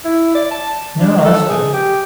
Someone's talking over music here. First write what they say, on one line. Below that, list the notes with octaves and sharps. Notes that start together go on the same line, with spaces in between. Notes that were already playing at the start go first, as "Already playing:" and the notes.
No, that's good.
E4
D5
A5
D4
A4
G#4
G4